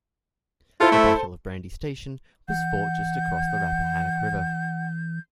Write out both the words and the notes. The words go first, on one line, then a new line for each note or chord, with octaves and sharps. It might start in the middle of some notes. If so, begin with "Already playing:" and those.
The Battle of Brandy Station was fought just across the Rappahannock River.
E4 F4 A4 C5
A3
E3 F#5 G6